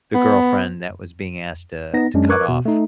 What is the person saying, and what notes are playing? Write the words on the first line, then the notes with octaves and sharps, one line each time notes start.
the girlfriend that was being asked to to cut off
B3
B3 D#4 A#6
F#2 G#3 C#4 D4
A#4 B4 C#6 D6 F#6 G#6
B2
A3 D#4